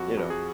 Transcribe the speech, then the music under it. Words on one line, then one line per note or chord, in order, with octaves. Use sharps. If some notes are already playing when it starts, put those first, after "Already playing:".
you know,
Already playing: F2 F#4
F2
G#4